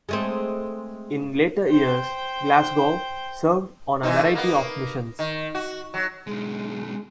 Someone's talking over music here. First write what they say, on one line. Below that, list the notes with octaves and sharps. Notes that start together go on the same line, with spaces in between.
In later years, "Glasgow" served on a variety of missions.
G#3 A3 C4
C5 G5
E3 C4 D#4
A3
A#3 B3
D#3
F#4
F#3
B1 G#3